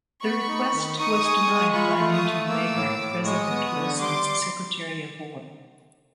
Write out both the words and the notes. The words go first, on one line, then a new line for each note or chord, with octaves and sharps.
The request was denied by Newton Baker, President Wilson's Secretary of War.
B3 B5 C#6
D#4
D#3
D#4 C#6 D#6
G#4
G#3
F4 B5 C#6
A3
C#6 D#6
A3
A#3 D6 E6
A2
A2
G#3 C#6 D#6
B3
D3
G3 C6 D6